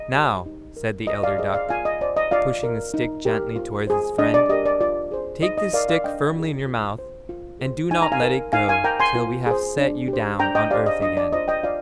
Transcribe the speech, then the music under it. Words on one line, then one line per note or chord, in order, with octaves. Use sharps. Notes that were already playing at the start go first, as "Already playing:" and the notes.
'Now,' said the elder duck, pushing the stick gently towards his friend, 'take this stick firmly in your mouth, and do not let it go till we have set you down on earth again.'
Already playing: D#5
G4 C5
D#4
A#4
F4 D#5
D5 F5
G#4 C5 D#5
D5 F5
F4 F5 G#5
D#5
C5 D5
D#5
F4 D5 F5
A#4
D#4
G4 A#4
F4
G#4 C5
D4 D#5
D5
G4 A#4 D#5
D5
F4 D5
G#4 C5
D#4 D#5
D#5
A#4 D5 F5
D5 F5
D4 D#5 G5
F4 G#4
F4
C5
F4
G#4 C5
D#4 G#5
A#5
F5 G#5
A#4
D#4 F5 G#5
F5 G#5
A#4 G5 A#5
G#5 C6
F4
G#4 C5
D4
G4
C5
D4 G5 A#5
D#5 G5
G4 C5 D5 F5
D#5
D4 D#5
D5
F4 C5 D#5
D#5 G5
F4 D5 F5